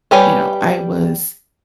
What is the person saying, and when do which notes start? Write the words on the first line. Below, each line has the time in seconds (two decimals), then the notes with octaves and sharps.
you know, I was,
0.11 G3 G4 B4 C#5 G#5